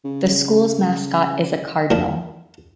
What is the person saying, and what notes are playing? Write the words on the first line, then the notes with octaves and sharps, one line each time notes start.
The school's mascot is a cardinal.
C#3
A#2 F3